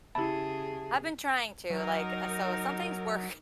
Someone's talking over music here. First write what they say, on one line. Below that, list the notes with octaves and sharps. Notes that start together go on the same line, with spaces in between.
I've been trying to, like, so some things work
C#3 E4 G4 G#4 E5 A5 B5
F#3 D#4 A#4